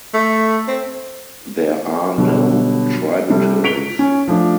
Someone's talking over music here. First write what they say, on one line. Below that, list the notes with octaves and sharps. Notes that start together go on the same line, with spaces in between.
There are no tributaries.
A3
C4
B2 D3 F#3 G3
C3 G3 A4
B6 D7 F7 G7
C#4
F3 A3 D4